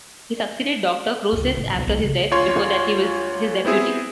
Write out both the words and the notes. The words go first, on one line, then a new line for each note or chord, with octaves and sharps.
He succeeded Doctor Cruces after his death; before that he was his deputy.
C#2 G2
A2 D3
C#2 B2
B1 E4
C#3
D2 F4 C#5 C6
B3 C4 E4 G#4